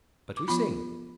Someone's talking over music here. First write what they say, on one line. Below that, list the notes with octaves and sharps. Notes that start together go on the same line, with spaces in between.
But we sing.
D6
F3 B3 F4 B5